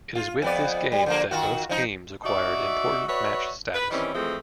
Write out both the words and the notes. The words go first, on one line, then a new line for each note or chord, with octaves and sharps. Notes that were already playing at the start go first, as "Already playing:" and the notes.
It is with this game that both teams acquired important match status.
F4
F2 B3 D5
G3
D3 F3 A#3
D#3 F4 F#4
F3 D#4
D#4 F#4 D5 E5
F#4 B4 C#5 D5 E5
B4
D#3 E3 G3 C4 C#4
E3 F3 G#3 A3 C4